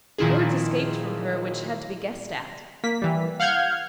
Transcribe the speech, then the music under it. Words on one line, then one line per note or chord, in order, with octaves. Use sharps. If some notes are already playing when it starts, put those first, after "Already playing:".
Words escaped from her which had to be guessed at.
A#2 D#3 F3 E4 F4 G#4
A#3 B6
E3 G3
F5 F#5 F6 G6 G#6